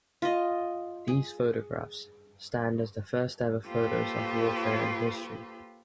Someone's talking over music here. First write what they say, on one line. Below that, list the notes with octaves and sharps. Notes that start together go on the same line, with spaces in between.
These photographs stand as the first ever photos of warfare in history.
F4 D#5
G#4
A#3 F4 G4 A4 B4 C5